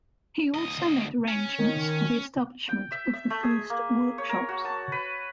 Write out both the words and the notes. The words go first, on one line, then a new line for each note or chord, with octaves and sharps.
He also made arrangements for the establishment of the first workshops.
D2 D#5
C#4
D#3
G5
E5
E5
A3
G#4
A#3
C#5
A#4
F#4
A5
B4